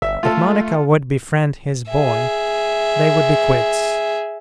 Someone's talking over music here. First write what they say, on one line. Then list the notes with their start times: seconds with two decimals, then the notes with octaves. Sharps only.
If Monica would befriend his boy, they would be quits.
0.02 G1 E5
0.23 A3 F4 A4
1.91 G#4 E5